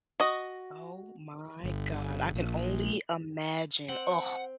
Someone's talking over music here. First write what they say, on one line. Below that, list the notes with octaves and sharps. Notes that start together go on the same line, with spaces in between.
Oh my god. I can only imagine, ugh.
F#4 D#5
G1
A#1
C4 F#5